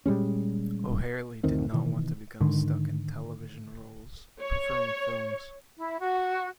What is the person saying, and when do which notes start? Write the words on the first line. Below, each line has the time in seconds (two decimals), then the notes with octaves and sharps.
O'Herlihy did not want to become stuck in television roles, preferring films.
0.06 A#2 G3 G#3 C#4
1.43 F#1 D2 D#3 C4
1.72 B2 D#3 E3
2.41 G#2 D3 D#3
4.40 C#5
5.79 E4
6.00 F#4